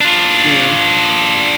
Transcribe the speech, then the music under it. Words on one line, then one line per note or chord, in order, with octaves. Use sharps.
you know,
D4 F4